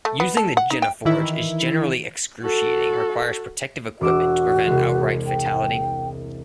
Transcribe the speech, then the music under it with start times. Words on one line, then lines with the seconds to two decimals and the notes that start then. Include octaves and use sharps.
Using the Geneforge is generally excruciating and requires protective equipment to prevent outright fatality.
0.05 A3
0.20 B3
0.37 A4
0.57 F#5
0.70 D#4
0.82 G5
1.05 D#3 E3 E4
2.42 F#4 A4
4.01 E1 F#4 D6 E6
4.67 C2 G#3
5.27 G5